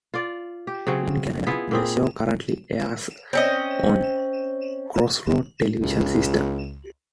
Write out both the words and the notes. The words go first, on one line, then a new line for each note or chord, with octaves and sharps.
In Canada, the show currently airs on Crossroads Television System.
F4 D5
G4
C#3 F#3 C4 C#4
B3 E4 F4 G#4
A#2 C4 G#4
C4 C#4 D#5
C#2